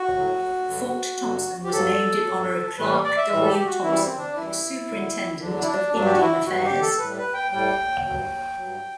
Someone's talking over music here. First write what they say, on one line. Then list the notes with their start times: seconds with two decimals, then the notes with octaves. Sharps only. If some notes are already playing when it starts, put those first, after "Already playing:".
Fort Thompson was named in honor of Clark W. Thompson, Superintendent of Indian Affairs.
Already playing: F#4
0.15 A2 F#3
0.68 G2 D3 F#3
1.20 G2 D3 F#3
1.64 G4
1.72 G2 F#3 A4
2.25 G2 F#3
2.78 A2 E3 G3 B4
3.04 D5
3.17 E5
3.30 A2 E3 G3 E5
3.43 A4
3.48 G4
3.66 F#4
3.83 F#2 E3 G3 E4
4.01 C4
4.18 D4
4.36 F#2 E3 G3 E4
4.88 E2 D3 F#3
5.41 E2 D3 F#3 D4
5.62 E4
5.67 D4
5.93 G2 F#3 D4
6.05 G4
6.13 F#4
6.20 E4
6.46 G2 F#3 F#4
6.64 G4
6.82 A4
6.99 A2 G3 B4
7.17 B4
7.34 G5
7.52 A2 G3 G5
8.04 G2 F#3
8.57 G2 F#3